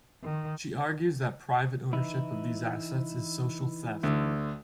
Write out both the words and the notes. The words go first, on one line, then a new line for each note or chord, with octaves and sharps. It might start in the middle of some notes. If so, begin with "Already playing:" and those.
She argues that private ownership of these assets is social theft.
D#3
E3 D#4 E4
D2 D3